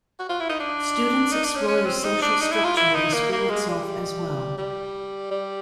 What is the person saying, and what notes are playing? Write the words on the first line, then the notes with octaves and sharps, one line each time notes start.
Students explore the social structure of the school itself as well.
F#4
F4
E4
D#4
D4
D#4
D4
C#4
C#4
C4
D#4
D4
D#4
E4
F4
E4
D#4
A#3
A#3
G#3
G3
G3
G3